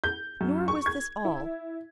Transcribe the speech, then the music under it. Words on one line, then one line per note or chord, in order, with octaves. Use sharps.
Nor was this all.
G6
F#2
C#6
G#6
E4